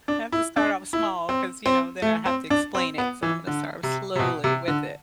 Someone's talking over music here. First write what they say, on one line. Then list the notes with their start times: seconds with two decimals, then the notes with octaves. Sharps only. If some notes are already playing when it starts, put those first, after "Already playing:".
I have to start off small 'cause, you know, then I have to explain it. So, I'm gonna start slowly with it.
0.08 D4
0.32 E4
0.56 D4
0.93 E4
1.29 C4
1.66 C4
2.02 A3
2.26 C4
2.50 D4
2.75 C4
2.98 B3
3.23 E3
3.47 D3
3.83 C3
4.16 C3
4.19 B2
4.44 C3
4.68 D3